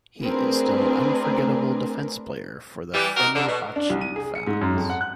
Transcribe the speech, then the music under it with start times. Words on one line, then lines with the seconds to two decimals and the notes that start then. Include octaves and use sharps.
He is still an unforgettable defence player for Fenerbahce Fans.
0.22 A3 C4 D4 G#4 A#4 B4
2.94 E3 G3
3.17 D#4 F#4 A#4
3.34 F2 D3
3.48 B2
3.76 D4
3.90 C2
4.01 D#7
4.16 G#4
4.35 C#7
4.47 G#2
4.61 F#2
4.77 F2
4.90 F#5
5.01 F#6